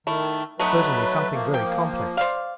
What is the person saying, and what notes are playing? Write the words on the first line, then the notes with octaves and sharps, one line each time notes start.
Certainly something very complex.
D#3 A3 E4
F#3 A3 B3 D#4 B4
F3 A#3
G5
C5 D5 F5